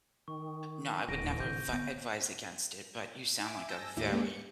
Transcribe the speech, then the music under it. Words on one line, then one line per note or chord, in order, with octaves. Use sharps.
No, I would never advi advise against it, but you sound, like, a very
D#3 C#6
D1 A2 D3 E3 A#6 D7 D#7
C3 G6
D3 B3
E5 G#5 D6
G#5 A5 E6 G6 A#6
D#2 A2 D4 E4 G4 E5
G#3 A#3 C#4 D4 G4 A4
C#7